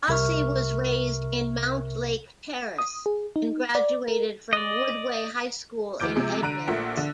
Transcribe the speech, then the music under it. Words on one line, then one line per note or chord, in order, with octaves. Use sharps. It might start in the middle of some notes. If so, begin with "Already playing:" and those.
Rossi was raised in Mountlake Terrace and graduated from Woodway High School in Edmonds.
C2 C3 A#4 E5 C#6 F6
D#6
G#4
D#4
D5
A#4
D5 D#5
D2 E3 D6 G6 D7
C3 F3 G#3
D3 A#5 F#6 D7 D#7
A#1 A#2 A3 E5 F#5
D3